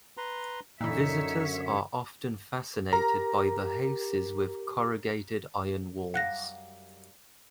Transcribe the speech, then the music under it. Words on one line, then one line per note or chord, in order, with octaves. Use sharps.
Visitors are often fascinated by the houses with corrugated iron walls.
B4 A#5 C6
F#2 A#2 D3 E3 D#4 C#5 E5 E6
G4 A#4 A#5
F#2 G3 F5 F#5 F#6 A#6